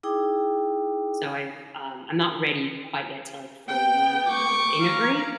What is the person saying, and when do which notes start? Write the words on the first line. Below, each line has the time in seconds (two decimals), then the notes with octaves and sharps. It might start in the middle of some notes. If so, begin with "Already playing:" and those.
so I've, um I'm not ready quite yet to, like, fully integrate,
0.03 D#4 E4 G#4 G5 D6
3.68 B3 G5
4.28 C#6 D6
4.80 F5 A#5